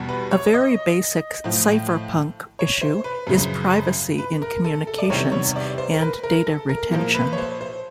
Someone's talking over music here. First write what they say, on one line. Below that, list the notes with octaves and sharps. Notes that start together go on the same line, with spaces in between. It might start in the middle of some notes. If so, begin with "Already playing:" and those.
A very basic cypherpunk issue is privacy in communications and data retention.
Already playing: E2 B2 G3
B4
C#5
D#5
A2 F3
C#5
C5
B4
F#2 C#3 F3
B4
A#4
A4
A4
D5
E2 C3 D#3 G3 C#5
C#5
D5
C5
A#4
B4
A#4
A4
A#4
A#2 F3 A#4
B4
C#5
C5
C5